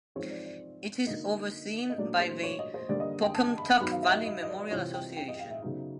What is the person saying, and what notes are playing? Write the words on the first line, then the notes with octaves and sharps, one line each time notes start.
It is overseen by the Pocumtuck Valley Memorial Association.
F3 G#3 C4 D#4 C#5
D5
D5
D3 F#3 A#3 D#4 D#5
D#5
A#2 F#3 A3 D4 D5
C5
C#5
D#5
C5
D3 G3 A#3 D5
D#5
G5
A5
B5
F#3 B3 D#4 B5
F5
E5
D#5
E5
D#5
D#5
D5
C3 E3 G3 C4 F4 C#5
G5
G5
D#5
F5
E5
C#3 F#3 B3 D#4 E5